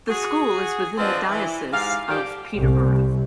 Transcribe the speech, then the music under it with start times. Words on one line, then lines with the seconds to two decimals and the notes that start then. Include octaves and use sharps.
The school is within the Diocese of Peterborough.
0.08 F#4 G#4
0.97 F3 C4 D4 B4 D#5
1.30 E3
1.72 G#2 G4 F5
2.08 F3 G3 A#3 G4 A4
2.54 C2 C3